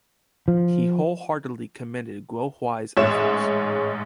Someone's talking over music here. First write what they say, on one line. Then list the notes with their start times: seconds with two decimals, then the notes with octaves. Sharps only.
He wholeheartedly commended Guo Huai's efforts.
0.48 F3
2.97 A1 G#2 G#3 C#5 E5 E7